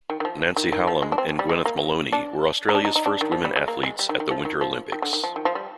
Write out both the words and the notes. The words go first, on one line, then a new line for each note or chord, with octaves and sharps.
Nancy Hallam and Gweneth Molony were Australia's first women athletes at the Winter Olympics.
D#3
D#3
F3
D#3
D#3
F3
G#3
D4
C4
G3
G#3
A#3
D4
D#4
D4
D#4
D#4
D4
D#3
F3
G3
G#3
A#3
G#3
G3
D#3
D#3
F3
D#3
F3
D#3
D3
D#3
F3
D#3
F3
G3